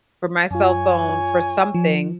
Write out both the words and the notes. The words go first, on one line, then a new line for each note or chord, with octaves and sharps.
for my cell phone for something
F#2 F4 C#5 G#5
F3